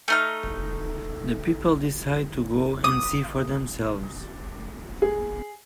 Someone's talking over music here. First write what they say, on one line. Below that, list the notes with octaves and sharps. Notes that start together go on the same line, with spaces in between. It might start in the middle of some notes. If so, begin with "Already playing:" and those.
The people decide to go and see for themselves.
A3 D#4 F6
D#6
G#4